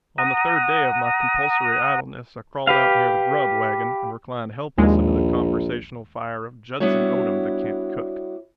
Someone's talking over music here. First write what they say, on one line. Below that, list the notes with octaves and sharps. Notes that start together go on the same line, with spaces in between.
On the third day of my compulsory idleness I crawled out near the grub wagon, and reclined helpless under the conversational fire of Judson Odom, the camp cook.
F#5 A#5 D#6
G4 B4 F5
A#1 D#2 G#3
G3 B3 D4 E4 F#4 C#5